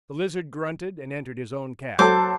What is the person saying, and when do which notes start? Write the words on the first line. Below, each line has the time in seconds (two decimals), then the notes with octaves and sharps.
The Lizard grunted and entered his own cab.
1.99 F#3 A4 C5 A5 D6